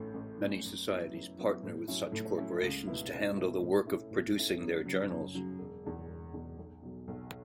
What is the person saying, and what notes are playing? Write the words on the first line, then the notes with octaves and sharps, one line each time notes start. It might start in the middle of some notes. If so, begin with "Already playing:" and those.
Many societies partner with such corporations to handle the work of producing their journals.
Already playing: A1 A2 A3 C#4
A1
A2 A3 C#4
F#2
F#3 B3 E4
F#2
F#3 B3 E4
A2
F#3 C#4 E4
A2
F#3 C#4 E4
C#2
B2 B3 E4
C#2
B2 B3 E4
A2
A3 C#4 E4
A2
A3 C#4 E4
F#2
C#3 F#3
F#2
C#3 F#3
E1
E2 B2
E1
E2 B2
B1
B2 F#3
B1